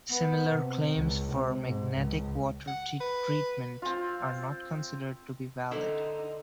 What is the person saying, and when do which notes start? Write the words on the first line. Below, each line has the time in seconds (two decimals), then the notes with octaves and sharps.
Similar claims for magnetic water treatment are not considered to be valid.
0.11 B3
0.50 C3
0.94 C#2
1.32 C3
1.67 G#2
1.97 C#2
2.68 F#5
3.01 B4
3.82 C4 F4
5.71 D3 D#4 E4 C5